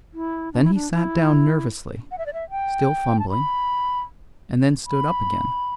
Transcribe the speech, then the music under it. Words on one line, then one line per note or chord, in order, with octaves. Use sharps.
Then he sat down nervously, still fumbling, and then stood up again.
E4
D4
E4
D4
E4
F#5
E5
D5
E5
G5
A5
B5
B5